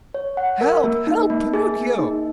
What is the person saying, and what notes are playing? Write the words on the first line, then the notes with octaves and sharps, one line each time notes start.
"Help, help, Pinocchio!"
C#5
F#5
A#4
A#3
D#4
A#3
G#4
A#3
D#4